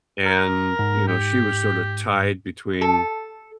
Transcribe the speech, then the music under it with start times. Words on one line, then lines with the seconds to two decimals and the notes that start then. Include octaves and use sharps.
And, you know, she was sorta tied between
0.26 A#4
0.79 G#2
1.08 G4
2.81 A4